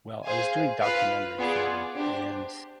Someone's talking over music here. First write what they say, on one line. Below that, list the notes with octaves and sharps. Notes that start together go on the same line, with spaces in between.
Well, I was doing documentary film and,
G#4 C5 F5 G#5
F4 B4 F5
B3 F4 G#4 D5
D4 G4 C5